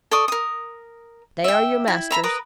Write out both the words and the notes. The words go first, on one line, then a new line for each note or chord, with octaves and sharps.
They are your masters.
A4 D5 C#6 D#6
A#4 D#6
E5 G5
E4
E5 A#5 B5
A#4 B4 A#5 D#6